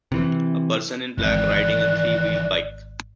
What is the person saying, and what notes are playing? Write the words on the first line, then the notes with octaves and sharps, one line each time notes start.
A person in black riding a three wheeled bike.
C3 E3
G#1 D#3 E3 D5 F#6